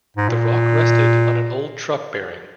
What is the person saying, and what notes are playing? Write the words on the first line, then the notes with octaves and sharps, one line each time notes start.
The rock rested on an old truck bearing.
G#2
A#2